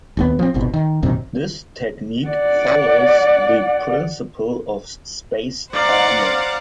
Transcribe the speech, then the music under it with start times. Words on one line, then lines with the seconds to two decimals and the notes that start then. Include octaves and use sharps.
This technique follows the principle of spaced armor.
0.17 D1 D#2 B3
0.39 F3 C4
0.54 G1 C2 B2
0.74 D#3
1.03 A#1 F#2 C3 D#3
2.28 D5 F#5
5.73 C5 D5 F5 F#5 A#5